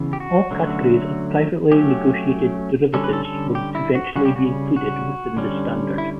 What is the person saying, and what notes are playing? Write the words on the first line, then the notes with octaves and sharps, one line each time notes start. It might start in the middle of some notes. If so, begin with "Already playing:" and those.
All categories of privately negotiated derivatives will eventually be included within the standard.
Already playing: C#3 E3 B3
G4
F#4
D3 F#3 A3 C#4
F#3 A3 C#4 G4
D3 G3 C#4 A4
B4
A4
A4
G4
E4
F#4
C#3 G3 C#4 F#4
G4
F#4
F#4
D3 G3 C#4
E4